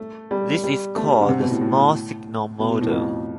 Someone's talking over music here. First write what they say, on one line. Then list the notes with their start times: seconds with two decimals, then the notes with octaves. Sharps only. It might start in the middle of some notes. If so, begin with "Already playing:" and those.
This is called the "small-signal model".
Already playing: A3
0.31 G3
0.64 G3
0.96 A3
1.05 G3
1.21 D3
1.28 C3
1.40 B2
1.50 A2
1.61 A2
2.60 B2
2.70 B2
2.81 A2
2.92 F2